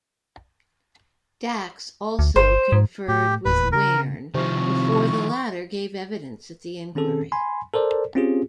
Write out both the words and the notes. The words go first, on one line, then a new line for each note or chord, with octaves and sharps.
Dax also conferred with Wearne before the latter gave evidence at the Inquiry.
D2
G1 C5
G#2
A2 G4
E1 D#2 A2 B4
C#3 A#4
C3 D#3 F3 C#6
D#3 C4 C#4 G#4 A4
G#5 B5 C6
A4 A#4 C5 D5
C4 C#4 F4 G4 G#4